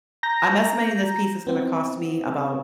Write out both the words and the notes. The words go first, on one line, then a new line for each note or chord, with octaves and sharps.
I'm estimating this piece is gonna cost me about"
A#5 G6 A#6
B3 C4